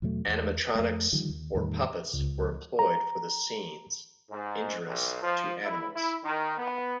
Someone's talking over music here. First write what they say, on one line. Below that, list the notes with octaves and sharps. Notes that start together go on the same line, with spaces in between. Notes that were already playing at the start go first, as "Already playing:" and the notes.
Animatronics or puppets were employed for the scenes injurious to animals.
E2 B2 F#3 A3
E2
F2 A3
D3 D#3 F3 G3
D#2
E2 A2 D#3 G3
C#2
A#5
G#2
B1
F3
E4
E4
D#3
B3